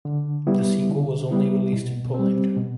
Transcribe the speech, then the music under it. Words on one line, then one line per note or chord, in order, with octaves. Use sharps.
The sequel was only released in Poland.
D3
G3 B3 E4
D3
G3 B3 E4
B2
G3 C4
B2